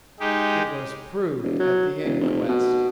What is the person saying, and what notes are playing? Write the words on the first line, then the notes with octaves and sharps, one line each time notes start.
"It was proved at the inquest."
G#3 D#4 G4
E1
F#3
E1
F1
B2